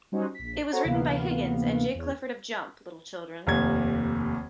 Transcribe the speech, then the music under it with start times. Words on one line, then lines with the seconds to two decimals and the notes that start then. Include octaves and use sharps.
It was written by Higgins and Jay Clifford of Jump, Little Children.
0.12 F#3 G3 C#4 D#4 F#4 C5
0.35 A#1 B6
0.72 F#4 A4 C5 C#5 F#5 A#5
0.85 D2 C3 E3 A#3 B3 F5
1.95 E2 C#5
3.47 F1 D#2 G#6